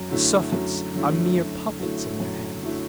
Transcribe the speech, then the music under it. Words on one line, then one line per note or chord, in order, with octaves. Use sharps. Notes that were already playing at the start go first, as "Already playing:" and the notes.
The suffetes are mere puppets in their hands.
Already playing: F#2
D3 F#3 A3 E4
F#2
D3 F#3 A3 E4
F#2
D3 F#3 A3 E4
F#2
D3 F#3 A3 E4